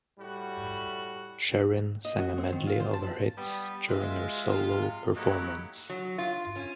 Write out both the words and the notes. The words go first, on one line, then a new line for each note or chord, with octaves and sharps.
Sheryn sang a medley of her hits during her solo performance.
A2 G3 F#4
D#5
F#4
C4
D#3
F4
C5
A5
G3 B3
G#3 F4 E5
C3 F3 G#3 F4
F#3 A3 A#3 D#4 E4 G4
F#3
F4
C#4